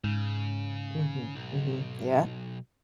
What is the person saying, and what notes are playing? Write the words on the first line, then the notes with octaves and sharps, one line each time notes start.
Mhm, mhm, yeah.
G#2 C#3
B1